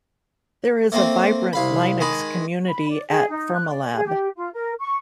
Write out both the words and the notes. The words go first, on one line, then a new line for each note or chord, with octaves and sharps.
There is a vibrant Linux community at Fermilab.
A3 A#3 C4
C2 F5 B5
D#3 G#3 B5
B5
D5
G#4
D#4
F#6
D5
G#4
G4
F4
A#4
C#6